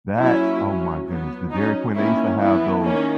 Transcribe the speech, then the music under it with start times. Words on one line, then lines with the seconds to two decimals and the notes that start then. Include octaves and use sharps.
That, oh my goodness, the Dairy Queen, they used to have those
0.17 F#3 A#3 C#4 E4
0.61 F#3 C#4
1.06 F#3 B3
1.50 F#3 C#4 D#4
1.94 D#3 A#3 C#4 E4
2.38 E3 B3 E4
2.82 D#3 A#3 C#4